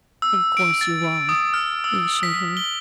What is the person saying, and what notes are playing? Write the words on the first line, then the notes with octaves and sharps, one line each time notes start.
"Of course you are," he assured her.
E6
D7
A6
D#6
F6
E6
B6
G7